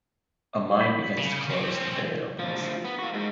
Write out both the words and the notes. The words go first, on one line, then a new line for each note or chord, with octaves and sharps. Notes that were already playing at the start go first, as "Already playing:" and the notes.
A mine begins to close the day it opens.
B5
C#3
C4 C#4
D#2 F3
D2 F3
B3
A#3 F#4
G#2 G#3